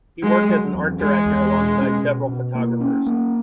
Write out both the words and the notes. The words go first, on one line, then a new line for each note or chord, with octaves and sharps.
He worked as an art director alongside several photographers.
F#3 G#3
F#3
E2
E2 G#3
E2
B2
C#4
B2
B2
A#3
C#4
A#3